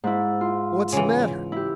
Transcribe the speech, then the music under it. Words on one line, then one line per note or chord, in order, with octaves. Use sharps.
"What's the matter?"
G#2 E4
F4
C#3 E3
E4 G4